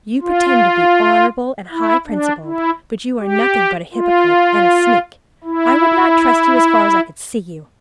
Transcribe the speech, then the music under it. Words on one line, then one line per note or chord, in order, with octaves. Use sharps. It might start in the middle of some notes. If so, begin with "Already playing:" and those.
You pretend to be honorable and high-principled, but you are nothing but a hypocrite and a sneak. I would not trust you as far as I could see you.
F4
E4
D4
E4
G4
F4
E4